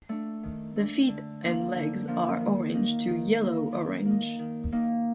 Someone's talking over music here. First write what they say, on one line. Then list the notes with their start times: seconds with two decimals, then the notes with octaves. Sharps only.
The feet and legs are orange to yellow-orange.
0.09 A3 D4
0.43 D#3
0.76 A3 D4
1.08 D3
1.42 F3 A#3 D4
1.74 D3
2.08 F3 A#3 D4
2.41 D#3
2.74 A#3 D#4
3.07 D#3
3.40 A#3 D#4
3.72 D#3
4.05 A#3 D#4
4.39 D#3
4.72 A#3 D#4